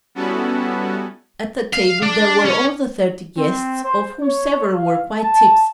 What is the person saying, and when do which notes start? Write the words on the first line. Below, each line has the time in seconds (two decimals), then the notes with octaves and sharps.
At the table there were all the thirty guests, of whom several were quite tipsy.
0.15 G3 B3 C#4 E4 F#4 A4
1.73 F5
2.03 D4
2.45 C#4
3.38 C4
3.84 C5
4.21 C#5
4.75 F5
5.20 A5